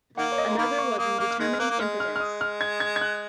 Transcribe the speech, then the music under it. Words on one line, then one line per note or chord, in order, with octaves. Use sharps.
Another was in determining impotence.
D#3 A#3 F#5
C#5
D#5
G#3
A#5
D#3 A#3 B5
C#6
A#3 D#6
A#3 F6
F6
D#3 G#3 F#6
F6
A#3 F#6
A#3
G#3 F6
F6
F6
D#6
F6
G#6
G#6
G#6
F#6